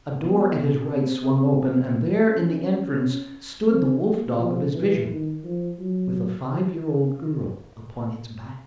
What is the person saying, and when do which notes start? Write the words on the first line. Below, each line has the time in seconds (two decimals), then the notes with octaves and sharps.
A door at his right swung open and there in the entrance stood the wolf-dog of his vision with a five-year-old girl upon its back.
0.19 B3
0.90 C4
1.24 C4
2.29 C#4
3.70 C4
4.05 A#3
4.39 F3
4.74 E3
5.10 D#3
5.44 F3
5.79 F#3